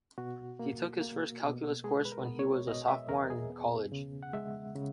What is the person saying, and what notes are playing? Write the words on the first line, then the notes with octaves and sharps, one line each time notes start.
He took his first calculus course when he was a sophomore in college.
B2 F#4
A#3
A#3
B2
G#3 G#4
B4
A#4
B3
C#5
B2 D#5
E5
E2 A#4
G#4
B3
C#3
F#5
G#3 E5
C#3